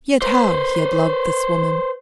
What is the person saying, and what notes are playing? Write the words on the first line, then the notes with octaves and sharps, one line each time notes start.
Yet how he had loved this woman!
B4 C5